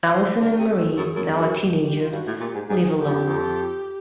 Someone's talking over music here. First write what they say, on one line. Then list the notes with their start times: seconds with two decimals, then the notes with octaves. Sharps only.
Allison and Marie, now a teenager, live alone.
0.10 C5
0.40 D3 A#4
0.58 C3 G#4
0.69 A4
0.77 G2
0.92 G4
0.96 F#2 G#4
1.15 F#2
1.26 G#4
1.36 F#2
1.54 G4
1.83 G4
2.00 F4
2.12 G2 F#4
2.26 A2
2.40 A#2 G4
2.54 G#2
2.69 G#2 G#4
2.98 G4
3.07 F2
3.26 F2